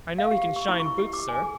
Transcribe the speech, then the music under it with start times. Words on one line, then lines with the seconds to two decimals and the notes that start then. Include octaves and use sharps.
"I know he can shine boots, sir."
0.18 F5
0.31 G4
0.56 C#6
0.69 E4
0.80 C#6
0.98 G4
1.13 D6
1.29 G#5
1.42 G#4